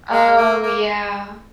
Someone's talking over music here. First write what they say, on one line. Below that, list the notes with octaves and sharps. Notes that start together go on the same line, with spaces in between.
Oh, yeah.
G#3
A#3
A#3